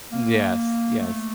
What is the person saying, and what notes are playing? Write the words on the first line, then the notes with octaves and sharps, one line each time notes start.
Yes, yes.
A#3
A3